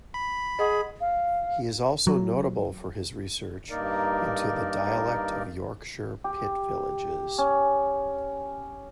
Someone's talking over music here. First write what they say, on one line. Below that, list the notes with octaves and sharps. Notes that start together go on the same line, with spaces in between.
He is also notable for his research into the dialect of Yorkshire pit villages.
B5
G#4 D#5 F#5 C6
F5
F#3
G2 A#3 D#4 A#4 D5
G4
C#4